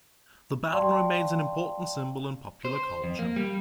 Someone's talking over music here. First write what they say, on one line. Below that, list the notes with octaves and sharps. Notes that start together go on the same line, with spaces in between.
The battle remains an important symbol in popular culture.
D5 F5 G5 A5 C6 C#6
C5
F2
A#3
G3